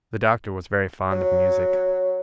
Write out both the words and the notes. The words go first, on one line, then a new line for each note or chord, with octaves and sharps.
The Doctor was very fond of music.
F#3